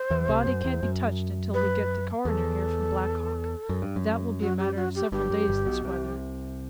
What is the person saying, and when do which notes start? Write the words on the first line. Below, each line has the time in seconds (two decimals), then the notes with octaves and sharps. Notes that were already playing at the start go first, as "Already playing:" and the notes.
"The body can't be touched until we get the coroner here from Black Hawk, and that will be a matter of several days, this weather."
Already playing: C5
0.10 E2 E3
0.28 C2 C3
0.46 F#2
0.65 E2
0.83 F#2
1.54 B4
2.25 E2 A4
3.69 F#2
3.82 G2
3.96 F#2
4.41 F#4
4.59 G4
4.76 F#4
4.95 G4
5.12 G1 G2 G4
5.30 F#2
5.48 G1 G2
5.66 B1 B2
5.84 C2 C3